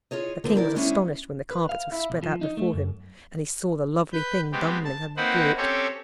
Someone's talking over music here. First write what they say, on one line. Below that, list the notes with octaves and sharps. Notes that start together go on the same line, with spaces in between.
The King was astonished when the carpets were spread out before him and he saw the lovely thing Dummling had brought.
F4 G#4 C#5 D#5
G#2 D3 F3 B3 G#4 A#4
E4 G4 A#4 C5 D5
D#3 G#3 B3 C#4 D4 E4
B4
F5
E4
B1
F3
D#4
A3
F#2
B4 G6
G#3 B3 C4 G4
A5
A#3 C4 D#4 B4 C5 F#5
C4 C#4 G4 A4 C#5